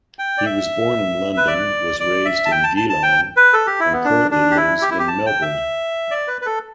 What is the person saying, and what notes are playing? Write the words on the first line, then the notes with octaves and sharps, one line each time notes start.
He was born in London, was raised in Geelong, and currently lives in Melbourne.
G5
D5
E5
B4
D5
D5
E5
A5
G5
A5
A5
A5
G5
B4
A4
G4
E4
B3
D4
D4
G4
E4
G4
E4
G4
A5
G5
E5
D5
B4
B4
A4